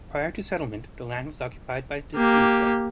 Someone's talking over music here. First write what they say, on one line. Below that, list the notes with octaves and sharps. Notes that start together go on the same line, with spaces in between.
Prior to settlement the land was occupied by the Sioux tribe.
A#3 G4